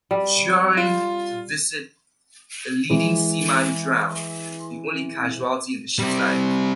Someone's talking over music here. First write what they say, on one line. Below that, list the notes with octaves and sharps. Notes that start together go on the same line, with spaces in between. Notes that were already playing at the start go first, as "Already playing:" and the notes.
During the visit, a leading seaman drowned; the only casualty in the ship's life.
G3
F4
E3 G#3
G3 C4